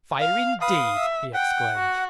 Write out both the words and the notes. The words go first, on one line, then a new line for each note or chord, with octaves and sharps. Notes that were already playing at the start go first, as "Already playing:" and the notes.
"Fire, indeed!" he exclaimed.
F5
B4 F5 D#6
E5
F#5 G5
F#4